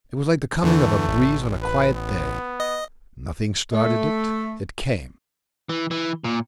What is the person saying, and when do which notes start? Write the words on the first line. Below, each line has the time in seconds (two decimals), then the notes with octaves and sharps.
It was like the coming of a breeze on a quiet day; nothing started it, it came.
0.63 E2 D3 E3 A3
1.08 A1
1.62 B4
1.95 B3
2.60 D#5
3.72 A3
5.69 E3
5.91 E3
6.24 A#2